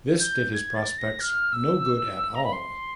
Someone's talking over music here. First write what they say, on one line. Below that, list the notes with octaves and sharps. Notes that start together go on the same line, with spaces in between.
This did his prospects no good at all.
G6
G#6
A6
A#6
F6
E6
A#5
B5
C6